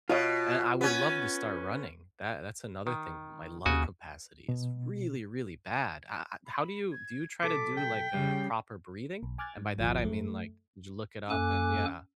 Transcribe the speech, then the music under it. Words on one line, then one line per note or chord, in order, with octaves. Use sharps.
And I would love to start running. That that's another thing. My lung capacity is really, really bad. I I how do you do you try to do like a proper breathing? And by that I mean like, did you look it up and yeah.
B2 F4 C#5 D#5
B3 C#4
D#3
D#2 C#3 F#4 G#5
B2
B5
G#6
B1 A4 D6 B6
G5
C#3 G3 C7
B1
G#5 D6 F6 F#6 G#6 A6
G#2
G#1 D2 F3
F#2 A3
F#2 A#3 A4 G#5 D6 F#6